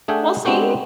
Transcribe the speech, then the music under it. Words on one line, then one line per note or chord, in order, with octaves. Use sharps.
Well, see?
A3 D4 G#4 E5 F#5 G5
G#3 B3 C4 D4 F#4 G4